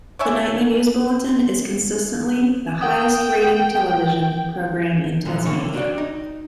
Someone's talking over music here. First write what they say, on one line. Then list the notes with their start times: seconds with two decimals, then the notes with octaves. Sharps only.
The nightly news bulletin is consistently the highest rating television program in Tasmania.
0.19 C#5 D5 E5 G#5
2.81 A#4 F#5 G5 D#6
5.25 A#2 D3 F3 F#3
5.45 C3 A3 A#3 A4 C#5
5.73 D4 F#4 G4 D5
5.98 D#4